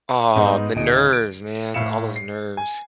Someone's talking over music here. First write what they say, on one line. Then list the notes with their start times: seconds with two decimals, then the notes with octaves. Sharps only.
Aw, the nerves, man. All those nerves.
0.36 G#2 B3 D#4
0.75 D1 D#4 D7
1.13 D7
1.74 A2 E5 F5 C#7 E7
2.16 C7
2.57 G#5